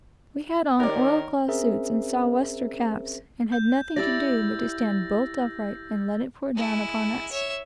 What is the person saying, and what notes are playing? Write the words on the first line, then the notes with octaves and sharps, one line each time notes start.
We had on oil-cloth suits and south-wester caps, and had nothing to do but to stand bolt upright and let it pour down upon us.
D#3 G4 A#4 C#5 D5
C4 C#4 G#4 A#4 C5 E5
G6
E4 G4 D5 E6 A6 A#6
G#3 E4
C#5 E5